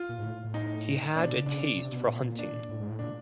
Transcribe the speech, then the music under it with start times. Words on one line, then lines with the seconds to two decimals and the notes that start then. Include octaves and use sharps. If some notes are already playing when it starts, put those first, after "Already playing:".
He had a taste for hunting.
Already playing: F4
0.09 A#2
0.18 G#2
0.24 A2
0.44 A2
0.54 D#4
1.16 A#2 D4
1.26 B2
1.36 C#3
1.46 D4
1.77 C3
1.92 B2
2.07 A#2
2.39 D4
2.69 A2
2.79 G#2
2.89 A2
2.99 A#2 D4